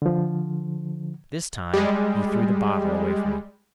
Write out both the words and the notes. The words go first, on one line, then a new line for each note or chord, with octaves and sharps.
This time he threw the bottle away from it.
D3 F3
G3 G#3